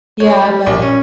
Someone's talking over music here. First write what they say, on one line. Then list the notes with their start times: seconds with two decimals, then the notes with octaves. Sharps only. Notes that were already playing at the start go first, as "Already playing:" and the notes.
Yeah, but
0.20 C#5
0.42 G3
0.66 A#1
0.82 C#4